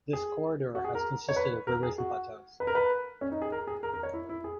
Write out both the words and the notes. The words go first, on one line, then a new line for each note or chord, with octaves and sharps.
This corridor has consisted of rivers and plateaus.
G#4
F#4
G#4
A#4
C#5
B4
A#4
G#4
F#4
B4
A#4
B4
C#4
D#4
G#4
A#4
G#4
A#4
A#4
C#5
E4
E4
G#4